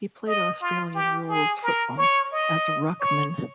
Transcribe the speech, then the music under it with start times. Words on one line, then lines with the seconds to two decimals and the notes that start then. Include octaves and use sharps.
He played Australian rules football, as a ruckman.
0.27 D#5
0.61 F4
0.95 G4
1.29 G#4
1.63 A#4
1.98 C#5
2.32 D#5
3.00 C#5